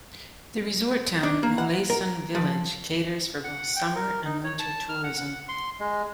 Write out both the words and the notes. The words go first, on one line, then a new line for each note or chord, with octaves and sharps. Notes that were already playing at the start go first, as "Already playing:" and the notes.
The resort town Moléson-Village caters for both summer and winter tourism.
D4
A#3
F#5
A#4
F3
F#5
G5
A#4
D#4
C#5
A5
F6
F#5
F#5
C6
G#3